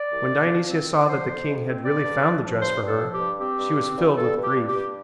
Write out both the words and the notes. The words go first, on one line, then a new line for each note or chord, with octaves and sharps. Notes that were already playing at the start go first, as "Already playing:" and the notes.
When Dionysia saw that the king had really found the dress for her she was filled with grief.
Already playing: D5
C2
F2
F3
C4
F2
D5
F3 C5
F2
F2
C4
G2 D5
G2
F3
F3
G2 C5
G2
A4
F3
G4
G2
C4 G4
G2
C4
G2
G2 A4
G2
G4
G2
G4
G2